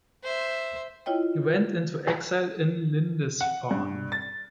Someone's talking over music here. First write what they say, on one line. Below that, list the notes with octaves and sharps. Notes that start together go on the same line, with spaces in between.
He went into exile in Lindisfarne.
C5 E5
E4 F4 C#5 D#5 G5
F#5
G2
A6